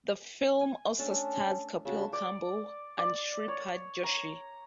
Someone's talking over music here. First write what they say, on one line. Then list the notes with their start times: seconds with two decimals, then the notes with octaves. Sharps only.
The film also stars Kapil Kamble and Shripad Joshi.
0.61 G#5
0.99 A3 C#4 D4 A4
1.85 C#3 D4 F#4 E5
2.13 D5
2.98 D5
3.48 C#5
4.03 A#5